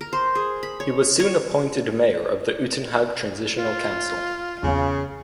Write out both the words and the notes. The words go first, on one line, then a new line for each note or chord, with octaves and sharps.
He was soon appointed mayor of the Uitenhage transitional council.
A#4
C5
G#4
B5
C#5
C#5
F4
E2 C#3 C#4